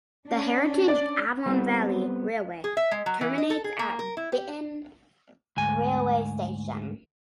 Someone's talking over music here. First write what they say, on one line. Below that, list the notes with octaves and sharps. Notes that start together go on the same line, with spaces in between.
The heritage Avon Valley Railway terminates at Bitton railway station.
C#4 D4
D5
G3 B3 C4
G#4
E5
G#3
F#3
E3
D#5
A4
G#4
A#3
A#4
E4
G4
D2 G#2 G#5